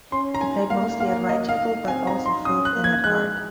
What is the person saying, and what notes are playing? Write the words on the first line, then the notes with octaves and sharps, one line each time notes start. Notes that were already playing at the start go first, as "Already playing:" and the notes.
He played mostly at right tackle, but also filled in at guard.
C#4 C6
A#5
G#5
A#3 F5
F5
D#5
F5
C4 G#5
A#5
C6
C#4 D#6
F#6
A#3
G#6
G#3 F#6